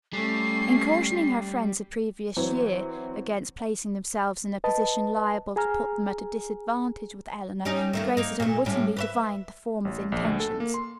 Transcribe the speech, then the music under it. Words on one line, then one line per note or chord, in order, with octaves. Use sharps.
In cautioning her friends the previous year against placing themselves in a position liable to put them at a disadvantage with Eleanor, Grace had unwittingly divined the former's intentions.
G3 A3 C#4 C7
E3 F#3 C4
B4 D#5 A5
G#4 G#5 A#5 F6
G3 C#4 D#4
D#3 A3 A#3
A#3 D#4
A#2 A3
A2 G3 C#4
B4 C#5 E5
A1
A#1
D2
A4
A#3
C6